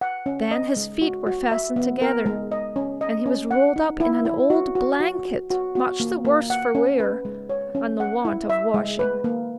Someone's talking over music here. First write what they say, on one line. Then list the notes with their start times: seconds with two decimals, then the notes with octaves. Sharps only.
Then his feet were fastened together, and he was rolled up in an old blanket much the worse for wear and the want of washing.
0.01 F#5
0.26 C#4
0.51 D#5
0.77 G#3
1.02 F#4
1.27 F#4
1.51 E5
1.76 B3
2.02 A#4
2.26 G#3
2.52 D#5
2.76 C#4
3.01 D#5
3.26 C#4
3.51 F#5
3.76 D#4
4.00 E4
4.25 E4
4.50 F#4
4.75 F#4
5.00 F#4
5.25 F#4
5.51 F#4
5.75 F#4
6.00 A#3
6.25 A#3
6.50 F#5
6.75 C#4
7.00 B4
7.25 G#3
7.50 C#5
7.75 C#4
8.00 F#5
8.25 E4
8.50 E5
8.74 G#3
8.99 B4
9.24 A#3